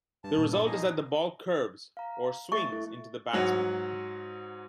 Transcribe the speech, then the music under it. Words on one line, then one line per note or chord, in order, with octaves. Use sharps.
The result is that the ball curves, or "swings" in to the batsman.
G2 A5
A#2
E4 A4 D5
B2 F3 D#4 G#4 A#6
F5 A#5
A3 E5 C#6 A6
E4 A4
G#2 F#3 F#5